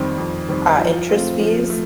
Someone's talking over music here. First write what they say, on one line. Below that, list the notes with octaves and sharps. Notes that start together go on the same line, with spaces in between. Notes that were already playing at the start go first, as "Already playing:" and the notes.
uh, interest fees,
Already playing: F2 D#3 G3 C4
F2
D#3 G3 C4
F3
A3 C4 F4
F3
A3